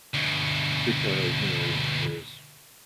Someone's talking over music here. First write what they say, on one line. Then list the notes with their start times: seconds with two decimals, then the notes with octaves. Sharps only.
because, you know, there is there is
0.14 D2 B2